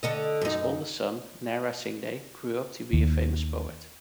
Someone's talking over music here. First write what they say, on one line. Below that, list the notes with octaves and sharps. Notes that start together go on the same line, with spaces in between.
His oldest son, Nara Singde, grew up to be a famous poet.
D3 A4 D#5
F#2 D#4
D#2